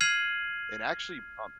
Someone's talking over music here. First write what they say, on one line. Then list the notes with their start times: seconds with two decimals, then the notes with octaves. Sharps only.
And, actually, um
0.01 F6 G#6 C7 D#7 F7 F#7